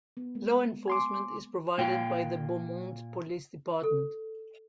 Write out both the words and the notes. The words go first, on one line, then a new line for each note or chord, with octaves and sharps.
Law enforcement is provided by the Beaumont police department.
B3
G#3 A#3
G#5 C6 D6
A#2 F4 G5
A4